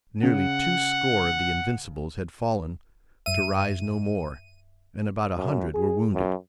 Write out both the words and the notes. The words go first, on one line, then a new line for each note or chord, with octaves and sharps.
Nearly two score of the Invincibles had fallen to rise no more, and about a hundred were wounded.
C#3 F#5
F#2 E5 D#7
F#2
G#4
F#2